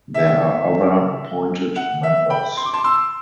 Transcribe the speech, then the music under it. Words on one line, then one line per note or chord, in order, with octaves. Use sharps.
There are other appointed members.
E5
F#5
E5
G5 B5
C6
D6
A5 C6
C6 E6